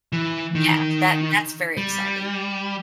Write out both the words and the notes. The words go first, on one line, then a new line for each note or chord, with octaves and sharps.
Yeah, that that's very exciting.
E3
D#3
G3